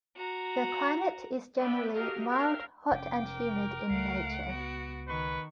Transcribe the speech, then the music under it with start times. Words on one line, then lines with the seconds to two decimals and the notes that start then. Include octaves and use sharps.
The climate is generally mild hot and humid in nature.
0.16 F#4 A#5
1.58 B3 B4 D5 E5 G5
1.93 F#4 G4 A4 A#4 D#5 F5
2.28 A#4 E5 F5 G5
2.91 F1 C#4 G5 D6
3.24 A#4
3.90 C#2 A3 F5 F#5 D7
4.49 B3 F#4
5.08 D#3 B4 C#6